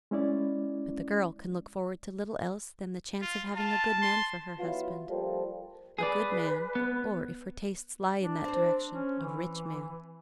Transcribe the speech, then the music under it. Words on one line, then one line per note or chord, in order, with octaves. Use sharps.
But the girl can look forward to little else than the chance of having a good man for her husband;--a good man, or if her tastes lie in that direction, a rich man.
G#3 C#4 E4 D5
F4
F4 A5
C6
F#3 B3 E4 F4
F3 G3 A#3 A4 C5
G#4 B4 D5
B3
D4
C4 C5
C#4
E3